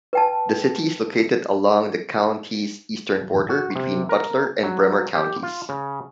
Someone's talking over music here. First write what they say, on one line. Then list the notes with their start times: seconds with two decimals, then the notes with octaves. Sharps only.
The city is located along the county's eastern border, between Butler and Bremer counties.
0.13 B4 G5 A5
3.49 F#4
3.76 C3
4.09 A#4
4.63 F#3
5.15 G4
5.43 F4
5.69 C#3